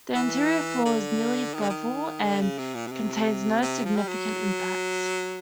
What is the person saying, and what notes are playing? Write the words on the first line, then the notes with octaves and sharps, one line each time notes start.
The interior floor is nearly level and contains no significant impacts.
E3
D3
D#3
D3
D#3
D3
C#3
C3
A#2
B2
C3
C3
F3
G3
F#3